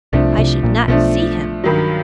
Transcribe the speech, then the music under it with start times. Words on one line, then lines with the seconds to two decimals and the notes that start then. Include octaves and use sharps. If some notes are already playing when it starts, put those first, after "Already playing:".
"I should not see him."
0.13 C2 C3 F3 A3 D4
0.38 C2 C3
0.63 A#1 A#2
0.88 B1 B2 F3 A3 D4
1.64 G2 D#3 F#3